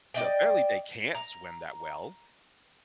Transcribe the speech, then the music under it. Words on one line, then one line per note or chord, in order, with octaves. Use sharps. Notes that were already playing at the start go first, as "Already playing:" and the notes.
So apparently, they can't swim that well,
D5 D#5 G5
A#5